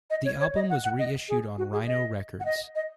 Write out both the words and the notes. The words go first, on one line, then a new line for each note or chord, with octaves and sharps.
The album was reissued on Rhino Records.
D#5
C#5
C#5
D#5
F#5
F#5
D#5
G#4
F#4
G#4
D#5
F#5
D#5
D#5